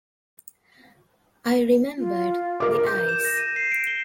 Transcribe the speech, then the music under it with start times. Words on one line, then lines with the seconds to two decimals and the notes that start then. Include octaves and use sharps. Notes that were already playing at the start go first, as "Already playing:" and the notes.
I remembered the eyes.
1.98 F4
2.60 A#4 D6
2.87 G6
3.09 E7
3.25 A#6
3.38 D#7
3.56 C7
3.72 D7
3.87 G7